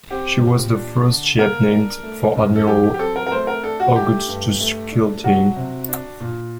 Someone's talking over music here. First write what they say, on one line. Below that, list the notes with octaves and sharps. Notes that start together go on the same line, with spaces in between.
She was the first ship named for Admiral Augustus Kilty.
C4 G4
A#2
D4
D3
A#3 A#4
D4
A3
F#2
A4
F#3 G4
G4
G4
C4 A4
A#4
A#4
A3 C5
A#4
D4 A4
F#4
A3 G4
G2
A3
D4
F#3 F#4
C3
D4
A#2